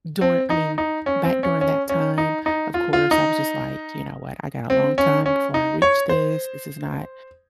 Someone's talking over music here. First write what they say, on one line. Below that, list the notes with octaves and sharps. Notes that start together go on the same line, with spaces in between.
during I mean, back during that time, of course, I was just like, "You know what, I got a long time before I reach this, this is not
C4
D#4
D#4
C#4
C4
C#4
C#4
C#4
D#4
D#4
F4
F4
D#4
C4
C#4
C#4
D#4
C#5
C5